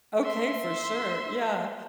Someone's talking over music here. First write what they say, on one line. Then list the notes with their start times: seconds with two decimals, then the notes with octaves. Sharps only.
Okay, for sure, yeah.
0.23 E5 C6